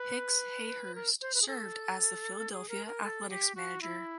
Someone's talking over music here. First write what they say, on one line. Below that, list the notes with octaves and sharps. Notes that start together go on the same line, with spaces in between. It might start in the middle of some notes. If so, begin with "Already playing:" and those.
Hicks Hayhurst served as the Philadelphia Athletics manager.
Already playing: B4
A#4
C5
B4
G#4
A4
G#4
A#4
A#4
A4
G4
F#4
E4